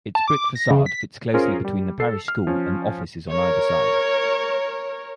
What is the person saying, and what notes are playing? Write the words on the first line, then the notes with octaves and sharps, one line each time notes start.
Its brick facade fits closely between the parish school and offices on either side.
A5
D6
A#6
C#3
B6
C#4 F4 G#4 A#4 C5
G3
A4 C7
F6
F3 C#4
A#4 C#5